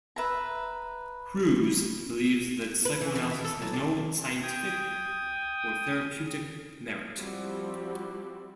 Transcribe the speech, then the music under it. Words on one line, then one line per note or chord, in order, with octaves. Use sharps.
Crews believes that psychoanalysis has no scientific or therapeutic merit.
B4 E5 A#5
B4
E3
E3
E4
A4
F#3
D4
G5 D#6 G#6
F3 G3 C4 E4 F#4